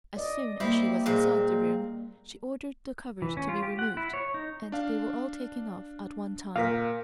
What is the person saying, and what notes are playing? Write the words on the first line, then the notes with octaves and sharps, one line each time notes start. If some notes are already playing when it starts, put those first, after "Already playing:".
As soon as she was inside the room, she ordered the covers to be removed and they were all taken off at one time.
D5 D#5
G3 A#3 C4 E4 G4
A#2 G#3 C4
E3
C#4
F4
G4
F#5
E4
C#5
D#4
D4 F5
A#2 A#4 F5 A#6 B6